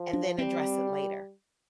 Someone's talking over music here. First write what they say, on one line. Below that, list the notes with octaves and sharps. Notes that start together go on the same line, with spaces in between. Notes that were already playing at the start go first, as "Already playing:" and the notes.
and then address it later.
Already playing: F3
D4
G3 C4